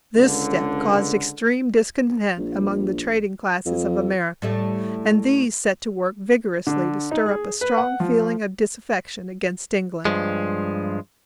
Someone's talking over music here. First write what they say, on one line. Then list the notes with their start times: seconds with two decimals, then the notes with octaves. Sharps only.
This step caused extreme discontent among the trading classes of America, and these set to work vigorously to stir up a strong feeling of disaffection against England.
0.16 C#2 D3
2.38 A#1
3.66 F2
4.42 A2 G3 A3
6.67 D3
7.11 D#4
7.26 G#4
7.61 B4
7.78 F#5
8.00 F3
10.05 G2 F3 G#3